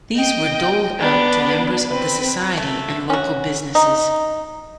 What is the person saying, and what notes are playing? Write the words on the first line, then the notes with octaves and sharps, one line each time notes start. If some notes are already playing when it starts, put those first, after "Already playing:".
These were doled out to members of the society and local businesses.
D#5 G5
B3 D4
C4 B4
A3
C#4 F#4
D#4